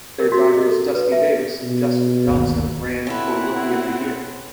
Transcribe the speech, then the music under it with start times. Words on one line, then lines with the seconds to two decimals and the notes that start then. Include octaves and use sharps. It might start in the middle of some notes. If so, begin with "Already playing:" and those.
Their drivers Dusty Davis and Justin Johnson ran for Rookie of the Year.
0.20 A#4
0.32 F#4
0.53 D#5
0.67 A4
0.95 B4
1.12 E5
1.63 B2
2.28 D1 G1 D#2
3.07 C4 C#4 E4 A4 B4 F#5